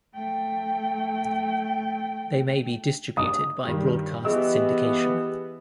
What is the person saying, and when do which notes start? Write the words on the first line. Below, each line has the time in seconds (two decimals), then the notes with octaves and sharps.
They may be distributed by broadcast syndication.
0.15 A3 G5
3.17 D#6
3.64 G2 D#3 G3
4.25 E3 B3 G4 G#4 D#5 E6